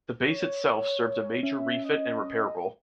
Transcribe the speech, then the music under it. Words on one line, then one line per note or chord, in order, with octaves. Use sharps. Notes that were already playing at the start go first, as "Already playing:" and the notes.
The base itself served a major refit and repair role.
C#5
C#4 E5
D#5